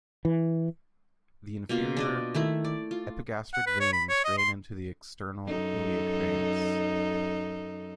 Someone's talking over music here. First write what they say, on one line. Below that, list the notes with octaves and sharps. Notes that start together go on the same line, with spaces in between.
The inferior epigastric veins drain into the external iliac veins.
E3
B2 A#3 F4
D4 D5 D#5
D#3 A3 E4
D5
F4
F#5
B4
C#5
B5
C#5
D#5
C6
F#2 D#4 A4